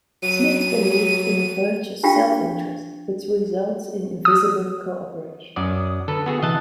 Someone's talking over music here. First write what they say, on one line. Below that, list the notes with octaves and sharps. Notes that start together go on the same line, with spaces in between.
Smith believed in a virtuous self-interest which results in invisible co-operation.
F#3 D#7
D4 F4 G4 F5 G5
D#6
F#2 F#3 D5 D#6
D3 A4 B4
B3 F#4 G#4
C3 E3 D#5 E5 A5 F#6